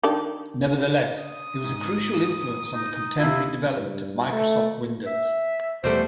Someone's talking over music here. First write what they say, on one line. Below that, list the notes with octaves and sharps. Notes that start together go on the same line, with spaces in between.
Nevertheless, it was a crucial influence on the contemporary development of Microsoft Windows.
D#3 D4 G4
D#6
G#2
D#4
C3 E4 F4
G2
A3
E5
E2 G3 A3 C5